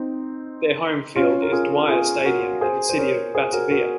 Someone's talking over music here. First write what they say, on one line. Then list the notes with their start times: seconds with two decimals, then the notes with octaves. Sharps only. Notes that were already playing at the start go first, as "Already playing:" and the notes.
Their home field is Dwyer Stadium in the city of Batavia.
Already playing: C4 D#4
1.16 C#4 F4
1.42 A#4
1.52 F4 G#4
1.89 F4 G#4
2.25 F#4 A#4
2.61 G#4 C5
2.89 C5
2.98 A#4 C#5
3.35 G#4 C5
3.52 F#4 A#4
3.71 F#4 A#4